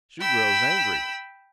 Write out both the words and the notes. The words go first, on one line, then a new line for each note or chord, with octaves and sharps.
She grows angry.
G5 B5 E6